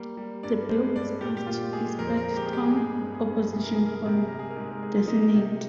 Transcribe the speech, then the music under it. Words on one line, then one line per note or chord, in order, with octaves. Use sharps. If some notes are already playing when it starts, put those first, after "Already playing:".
The bill was passed despite strong opposition from the senate.
Already playing: G3 A#3
G3
G2 D5
G#3 C5
G2 D5
A#2 G4
G4
A#2 F4
G#3 G#4
F2 A#4
C5
A#4
G#3
G4
G#4
G#3 G4
G#4
G4
G2 G#4
G2
G#4
G2
C3 G#4
A#4
A#3 G#4
A#4
G#4
C3 A#4
G#4
G#3 A#4
G#4
A#4
G#2 G#4
A#4
G#3 G#4
F4
A#3 D#4
C3